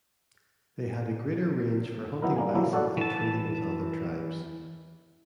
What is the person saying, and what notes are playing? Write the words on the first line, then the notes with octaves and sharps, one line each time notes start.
They had a greater range for hunting bison and trading with other tribes.
D#3 F#3 B3 D#4 E4 A#4
G3 A#3 G#5
F3 F#3 A#3 D4 E4
F#4 A4 C#5 D5 F#5
E3 A5